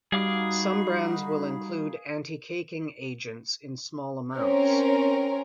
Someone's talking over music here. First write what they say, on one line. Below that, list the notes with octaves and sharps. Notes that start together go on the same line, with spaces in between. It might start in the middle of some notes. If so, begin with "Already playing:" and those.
Some brands will include anticaking agents in small amounts.
G3 D#4 F#4 G#4 F5 B5 D6
C4 C#4 A#4